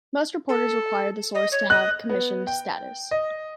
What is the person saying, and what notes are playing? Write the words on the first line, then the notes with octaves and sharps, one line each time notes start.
Most reporters require the source to have "commissioned status".
A4
D#5
C#5
D#5 F#6
B3
G5
D#5